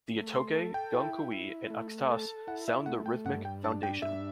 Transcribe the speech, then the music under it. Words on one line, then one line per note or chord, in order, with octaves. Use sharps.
The atoke, gankogui, and axatse sound the rhythmic foundation.
A3
C6
A4
G5
E4
E4
A3
A4
E4 F#5
E5
A3 F#5
G5
G2 F#5
G5
D4 A5
G5
G2 E5